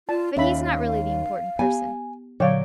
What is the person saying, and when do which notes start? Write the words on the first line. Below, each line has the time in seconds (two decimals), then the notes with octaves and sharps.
But he's not really the important person.
0.09 F4 D5 A5
0.37 D#2 C#4 E5 F5 B5
1.59 B3 G4 G#5
2.40 A#2 D3 F#3 C#5 D5 F5 G5